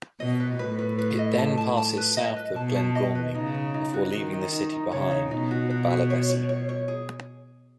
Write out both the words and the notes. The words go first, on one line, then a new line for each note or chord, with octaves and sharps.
It then passes south of Glengormley before leaving the city behind at Ballyvesy.
B2 D#5
B4
A2 B4
B4
B4
D#5
A5
A5
A5
B4
D#5
B4
B2 A5
A5
D#5
B4
C#3 D#4
D#4
D#4
F#4
D#3 D#4
D#4
D#4
D#4
C#3 C#5
D#4
B2 D#4
F#4
F#4
F#4
C#5
C#5
C#5
C#5
G#4